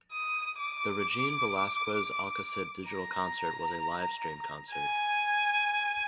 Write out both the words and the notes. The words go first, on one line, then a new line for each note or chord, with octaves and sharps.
The Regine Velasquez-Alcasid Digital Concert was a livestream concert.
D#6
D6
A#5
G#5